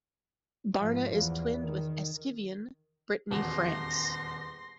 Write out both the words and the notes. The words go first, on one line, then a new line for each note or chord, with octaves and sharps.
Barna is twinned with Eskevien, Brittany, France.
G#2 F3
E2
D#3
D#1 E2 F#4 C6 A#6